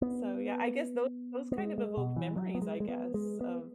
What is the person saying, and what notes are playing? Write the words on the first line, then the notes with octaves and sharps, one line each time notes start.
So, yeah, I guess those those kind of evoke memories I guess of
B3
B3
G#3
G#3
B2
E3
F#3
B3
G#3
G#3
B3
G#3
B3